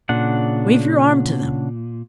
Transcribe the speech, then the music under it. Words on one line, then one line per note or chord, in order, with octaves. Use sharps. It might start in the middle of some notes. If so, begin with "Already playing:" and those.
"Wave your arm to them."
A#2 C#3 D4 F#5